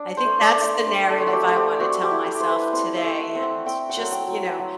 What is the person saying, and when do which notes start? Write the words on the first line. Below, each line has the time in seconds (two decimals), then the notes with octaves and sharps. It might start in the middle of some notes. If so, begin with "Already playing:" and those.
I think that's the narrative I wanna tell myself today and just, you know
Already playing: D4
0.17 C5
0.25 A3
0.41 D5
0.56 D4
0.63 D5
0.87 D4 C5
1.10 A4
1.18 A3
1.27 F#4
1.33 G4
1.48 A3
1.56 G4
1.79 C4 F#4
2.03 G4
2.11 E4
2.26 G4
2.40 A3 C5
2.49 B4
2.72 C4 C5
2.96 E5
3.04 A3
3.19 F#5
3.35 C4
3.43 F#5
3.66 C4 G5
3.89 F#5
3.97 F#3
4.12 G5
4.28 F#3
4.59 F#3